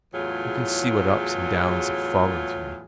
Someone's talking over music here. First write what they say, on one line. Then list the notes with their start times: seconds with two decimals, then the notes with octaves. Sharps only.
You can see what ups and downs have fallen to me.
0.13 E2 A2 F#3 F4 G#4